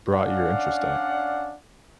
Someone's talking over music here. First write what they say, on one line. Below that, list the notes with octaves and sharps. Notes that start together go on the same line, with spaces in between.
brought your interest in it?
C#4 D4 D5 F5 F#5